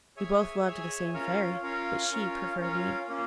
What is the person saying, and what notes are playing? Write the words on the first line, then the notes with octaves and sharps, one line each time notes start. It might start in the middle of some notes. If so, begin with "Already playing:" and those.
We both loved the same Fairy, but she preferred me.
G#4 C#5 E5 G#5
G#4 C#5 E5 G#5
C#4 F4 A#4 C#5 F5
C#4 F4 A#4 C#5 F5
C#4 F4 A#4 C#5 F5
C#4 F4 A#4 C#5 F5
A#3 C#4 F4